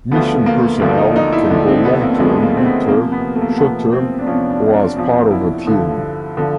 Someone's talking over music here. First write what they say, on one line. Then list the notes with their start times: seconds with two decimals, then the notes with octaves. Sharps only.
Mission personnel can go long-term, mid-term, short-term or as part of a team.
0.11 D2 D3 F3 B3
0.46 A#3
0.80 D2 D3 F3 D4
0.98 D#4
1.16 D#4
1.32 E4
1.50 D2 D3 F3 D4
1.68 C4
1.85 B3
2.01 A#3
2.14 A3
2.19 D2 D3 F3 G#3
2.42 A#3
2.57 C4
2.66 B3
2.89 E2 C3 F3 A#3
3.12 B3
3.35 A3
3.41 A#3
3.49 A3
3.57 E2 C3 F3 B3
3.93 C4
4.19 D4
4.27 E2 C3 F3 C#4
4.50 D4
4.73 D4
4.97 E2 C3 F3
5.31 E4
5.66 G2 D3 F3
6.37 D3 F3